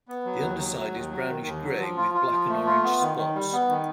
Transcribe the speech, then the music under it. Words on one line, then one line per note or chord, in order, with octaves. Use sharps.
The underside is brownish grey with black and orange spots.
B3
F#3
D#2
F#3
F#3
D#2
F#3
D#3
D#2
F#3
F3
F4
F4
F3
A3
F4
B3
D#3
D#3
G3
B3
D#3